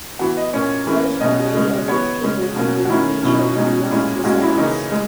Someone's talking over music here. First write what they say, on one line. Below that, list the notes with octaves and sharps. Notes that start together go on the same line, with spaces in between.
Note that many of these people have been featured on multiple stamps.
E3 B3 F#4
D#5
A#2 A#3 C#4 C#5
E3 A#3 C#4
B2 F#3 C#4 D#5
C#3 G#3 C#4
E3 B3 C#5
C#3 G#3 C#4
B2 F#3 A#3 C#4
F#4
D#3 A#3 C#4 E4
B2 F#3 A#3 C#4 E4
D#4
B2 G#3 C#4 D#4
A#2 G#3 C#4 E4
A#2 G#3 C#4 F#4
E4
C#3 E3 A#3 C#4 D#4
G#3